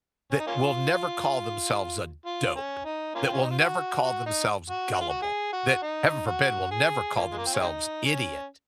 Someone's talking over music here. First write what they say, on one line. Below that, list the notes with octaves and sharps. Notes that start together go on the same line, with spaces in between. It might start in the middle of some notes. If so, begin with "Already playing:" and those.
that will never call themselves a dope, that will never call themselves gullible, that heaven forbid, will never call themselves idiot,
C#4
D#4
A#3 C#4 F4
F4
C#4
D#4
A#3 C#4 F4
C4
C#4
D#4
F4
F#4
F#4
D#4
F#4
F#4
F4
F#4
G#4
F#4
D#4
F#4
G#4
A#3 C#4 F4
G#3
A#3
C4
C#4
G#3 C4 D#4
C#4